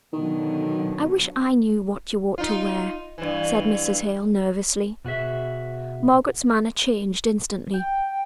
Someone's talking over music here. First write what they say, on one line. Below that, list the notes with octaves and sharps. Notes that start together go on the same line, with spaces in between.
'I wish I knew what you ought to wear,' said Mrs. Hale, nervously. Margaret's manner changed instantly.
B2 D3 D#3 F#3
D#4 F4
G2 E3
B2 F#4 G#4 E5
G5